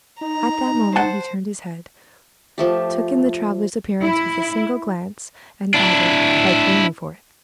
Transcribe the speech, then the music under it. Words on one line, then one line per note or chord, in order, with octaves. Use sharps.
At that moment he turned his head, took in the traveller's appearance with a single glance, and added, "By paying for it."
D#4 A#5
C5 F#5 A5
F3 A3 G4
E4
D4 E4